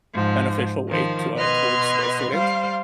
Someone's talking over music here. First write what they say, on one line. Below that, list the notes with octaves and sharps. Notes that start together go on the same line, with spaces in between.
beneficial way to, uh towards the student
G#2 F3
D#3 F3
B2 B4 D#5 C6 F6 G#6
G3 C5 F5